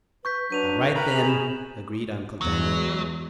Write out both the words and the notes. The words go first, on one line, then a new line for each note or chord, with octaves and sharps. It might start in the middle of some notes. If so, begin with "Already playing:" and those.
"All right, then," agreed Uncle Daniel.
B4 C#6 G6 B6
F#3 D4 B4 G6 D#7 F7
A#4 G5 A#5 B5 F#6
G#4 F7 F#7
E7
E2 F#3 G#3